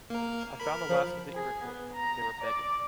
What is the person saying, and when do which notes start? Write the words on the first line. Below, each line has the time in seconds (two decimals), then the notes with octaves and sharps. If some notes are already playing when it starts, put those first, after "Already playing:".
I found the last of the Iroquois. They were begging.
0.10 A#3 A#4
0.60 A#4 B5
0.89 F3
1.35 G#4
1.64 B3
1.94 A#5
2.41 D5